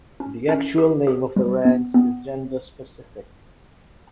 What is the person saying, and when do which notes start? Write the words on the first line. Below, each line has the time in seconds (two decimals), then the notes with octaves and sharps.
The actual name of the ranks is gender-specific.
0.20 C#4
0.49 C#4
0.78 G4
1.07 G4
1.36 G3
1.65 B3
1.94 B3